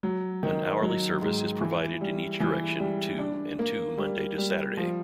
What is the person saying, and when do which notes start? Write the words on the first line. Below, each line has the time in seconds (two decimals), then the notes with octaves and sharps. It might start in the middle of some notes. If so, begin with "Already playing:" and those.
An hourly service is provided in each direction to and to Monday to Saturday.
0.03 F#3
0.43 D#3
0.82 F#3
1.22 G#2
1.61 E3
2.01 G3
2.40 E3
2.80 G3
3.19 D4
3.59 A#3
3.98 G3
4.38 G3
4.77 F3